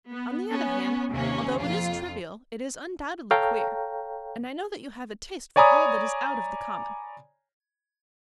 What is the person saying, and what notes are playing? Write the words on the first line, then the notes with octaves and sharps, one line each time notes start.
On the other hand, although it is trivial, it is undoubtedly queer, and I know that you have a taste for all that is out of the common.
B3
B3 C#4
D#2 C3 A#3 C#4
F2 F4
A4 C#5 F5 G5 A#5
C#5 D5 G#5 A#5 B5 D#6